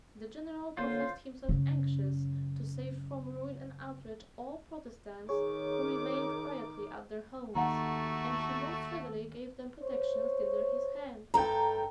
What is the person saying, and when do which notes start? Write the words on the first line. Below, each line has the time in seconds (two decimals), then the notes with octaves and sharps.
The general professed himself anxious to save from ruin and outrage all Protestants who remained quietly at their homes; and he most readily gave them protections tinder his hand.
0.77 D3 A#3 F4 C5 C#5
1.49 F#2 C#3
5.29 D#3 G#4 C#5 D6
7.55 D#2 A3 F#4 A4 F#5 A#5
9.82 C5 C#5
11.34 G2 A4 G5 A#5